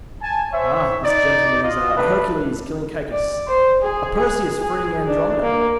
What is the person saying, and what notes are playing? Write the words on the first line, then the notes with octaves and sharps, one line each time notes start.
"Ah, this gentleman is a Hercules killing Cacus, a Perseus freeing Andromeda."
G#5 A5
C5 C#5 E5
D#4 D5
F4 D#5
A3 D4 B4
D5
C5
G#4
G#4
G#4
D4
A#3